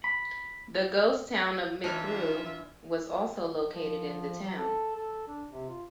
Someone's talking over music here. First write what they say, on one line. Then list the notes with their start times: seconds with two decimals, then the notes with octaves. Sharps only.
The ghost town of McGrew was also located in the town.
0.04 B5
1.84 E3 D4 D#4 F4 C#5 E5 F6 G#6
3.71 F3
4.46 F#3
4.58 A4
4.96 A4
5.28 D4
5.50 C3
5.69 F4